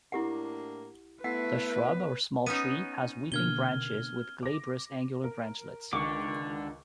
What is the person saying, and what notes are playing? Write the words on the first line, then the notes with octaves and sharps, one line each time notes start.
The shrub or small tree has weeping branches with glabrous angular branchlets.
A2 A#3 D4 E4 G4 F#5
A3 B3 E4 B4 F#5 B6 C7
B3 C#4 D#4 D#7
B2 D3 A#3 F6 G#6 G7
D6 A#6
A#4
C#2 D3 D#3 C#6 D6